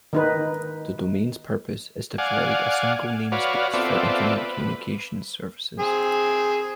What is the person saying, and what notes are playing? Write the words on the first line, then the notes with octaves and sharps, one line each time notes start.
The domain's purpose is to provide a single name space for Internet communications services.
D#3 D#4 B4
D5 F5 F#5 G#5
F#4 B4 C#5 D5 F5
B3 C4 F4 A4 D5 E5
B4
C4 G#4